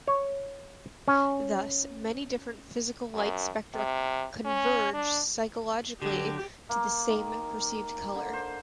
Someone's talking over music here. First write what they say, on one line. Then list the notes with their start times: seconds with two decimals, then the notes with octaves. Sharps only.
Thus, many different physical light spectra converge psychologically to the same perceived color.
0.08 C#5
1.08 C#4
3.14 F#2
3.74 C3
4.45 C#4
4.94 D4
6.02 D3 F#3 G4
6.69 A#3
7.09 D#3
8.15 D3
8.33 C5